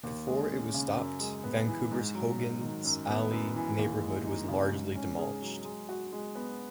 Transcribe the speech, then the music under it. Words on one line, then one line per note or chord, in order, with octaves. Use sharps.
Before it was stopped, Vancouver's Hogan's Alley neighbourhood was largely demolished.
D#2
G#3
C#4
C#3
F#2
G#3
B3
E3
G#2
F#3
G#2
D#3
F#2
B3
F#2
E3
D#2
G#3
D#4
C#3
G#2
C#4
G#4
F#3
G#3
F#4
G#3
B3